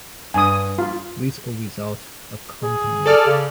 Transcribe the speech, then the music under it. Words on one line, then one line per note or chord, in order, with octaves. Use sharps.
With or without accompaniment.
G2 G#5 D#6
F4
G#4
A4 D5 F6
C#3